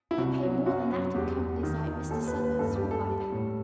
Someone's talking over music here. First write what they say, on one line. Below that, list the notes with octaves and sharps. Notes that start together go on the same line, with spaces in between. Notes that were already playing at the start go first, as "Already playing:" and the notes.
"They pay more than that in companies like Mr. Southard's," replied Anne.
E4
C2 F#4
F#3
F#2 F#4
F#3
E2 G4
E2
D#3
D#3
D#2 A4
B4
D#2
B4
G2 A4
G4
G2
A4
G3
A2